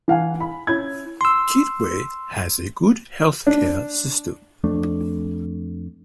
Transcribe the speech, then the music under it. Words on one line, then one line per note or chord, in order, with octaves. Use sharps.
Kitwe has a good health care system.
E3 F5 F#5 G#5
B5
C#4 E4 G#6
C6 E6
D4
F2 A3 D4